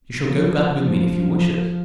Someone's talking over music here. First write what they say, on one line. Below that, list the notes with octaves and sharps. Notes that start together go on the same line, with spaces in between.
"You shall go back with me if you wish it."
F3
F3